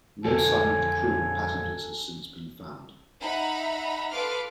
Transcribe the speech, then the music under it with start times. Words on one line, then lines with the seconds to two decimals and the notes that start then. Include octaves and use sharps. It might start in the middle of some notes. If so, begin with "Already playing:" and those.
No sign of the crew or passengers has since been found.
0.25 F2 D3 A4 G#5
3.21 D#4 E5 F#5 A#5 B5
4.11 F4 A4 B4 C6 D6 F6